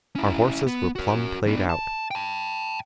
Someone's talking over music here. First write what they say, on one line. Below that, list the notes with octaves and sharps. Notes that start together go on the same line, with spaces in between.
Our horses were plumb played out.
C#4 E4
B3
F#4 A#4
B3 D4
A5
G5 A5